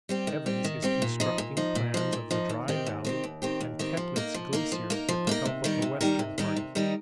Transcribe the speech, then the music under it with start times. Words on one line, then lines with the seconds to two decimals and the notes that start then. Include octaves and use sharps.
Evans is constructing plans of the Dry Valley and Koettlitz Glacier with the help of the Western Party.
0.09 G3 C4 G4
0.27 D#3
0.46 G3 C4 G4
0.64 D#3
0.82 G3 C4 G4
1.02 A#2
1.20 F3 D#4
1.38 A#2
1.57 F3 D#4
1.75 A#2
1.94 F3 D#4
2.13 A#2
2.31 F3 D#4
2.49 D#2
2.68 D#3 C4 G4
2.86 D#2
3.05 D#3 C4 G4
3.24 D#2
3.42 D#3 C4 G4
3.61 D#2
3.79 D#3 C4 G4
3.97 F3
4.16 A#3 D#4 A#4
4.34 F3
4.53 A#3 D#4 A#4
4.72 F3
4.90 A#3 D#4 A#4
5.09 F3
5.27 A#3 D#4 A#4
5.46 C3
5.64 D#3 G3 D#4 A#4
5.82 C3
6.01 D#3 G3 D#4 A#4
6.19 C3
6.38 D#3 G3 D#4 A#4
6.56 C3
6.75 D#3 G3 D#4 A#4